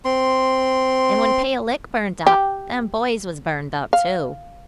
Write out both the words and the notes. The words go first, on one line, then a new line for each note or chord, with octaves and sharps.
"And when Pale Lick burned up, them boys was burned up, too."
C4 C6
G4
F5